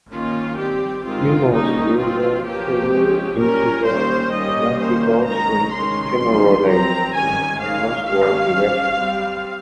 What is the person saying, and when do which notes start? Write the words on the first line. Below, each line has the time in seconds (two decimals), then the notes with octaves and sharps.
Numerous rivers flow into the Atlantic Ocean, generally in a northward direction.
0.12 D#3 A#3 C#4 F4
0.58 G3 C4 G4
1.05 D#3 G#3 C4 F4
1.53 G3 A#3 C#4 D#4
1.99 F3 C4 F4
2.45 F3 A#3 C#4 G4
2.93 F3 G#3 C#4
3.40 G3 C#4 A#4
3.86 D#3 G3 A#3 C#4 C5
4.33 G3 A#3 C#4 D#5
4.79 D#3 A#3 C#4 C5
5.26 D#3 G#3 C#4 A#5
5.73 D#3 G#3 C#4 C6
6.20 D#3 G3 C#4
6.67 F3 C4 A#5
7.14 D#3 G3 C#4 G#5
7.60 D#3 G#3 C#4 F5
8.08 D#3 G#3 C#4 F5
8.53 G3 C#4
9.00 G3 C4